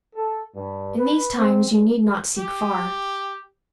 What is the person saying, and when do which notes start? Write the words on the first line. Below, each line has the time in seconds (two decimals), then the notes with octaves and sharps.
In these times you need not seek far.
0.14 A4
0.55 G2
0.97 B4
1.35 C4
1.68 G2
2.38 G4